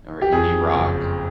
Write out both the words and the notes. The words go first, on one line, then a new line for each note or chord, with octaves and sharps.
or indie rock,
G4
F2 G#4
F#1